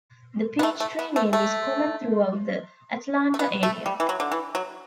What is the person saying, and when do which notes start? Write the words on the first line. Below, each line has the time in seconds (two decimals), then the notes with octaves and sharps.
The Peachtree name is common throughout the Atlanta area.
0.59 B3
0.63 A3
0.80 A3
0.99 B3
1.16 A3
1.33 A3
3.34 A3
3.39 B3
3.63 A3
3.86 G3
4.00 E3
4.09 F#3
4.20 D3
4.32 E3
4.55 F#3